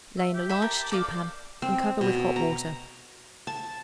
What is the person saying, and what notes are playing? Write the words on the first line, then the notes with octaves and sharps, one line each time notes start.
Lay in a large stew-pan and cover with hot water.
E5
G4
E5 B5
A#4 A5
A4 D5 F5 D6
C4
B2
A#5
A5